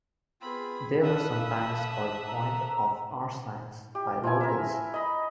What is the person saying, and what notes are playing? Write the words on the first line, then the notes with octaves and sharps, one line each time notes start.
They were sometimes called "point of Arsines" by locals.
B3 C4 F4 G#4 B5
D4 A4 B4 E5 F5 D#6 F#6
B4 A5
D4 A4 A#5
G4
F3 E4 G#5
A#4 E5
D#5 B5